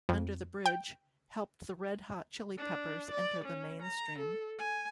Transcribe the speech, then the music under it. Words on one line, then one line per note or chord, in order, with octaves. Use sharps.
"Under the Bridge" helped the Red Hot Chili Peppers enter the mainstream.
F2
G5
D4
D5
C#4
A#5
A4
G#5